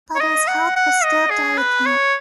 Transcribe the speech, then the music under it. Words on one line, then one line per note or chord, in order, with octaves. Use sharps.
But his health was still delicate.
C#5
D#5
F#5
F#5
D#5
G#4
B4
C#5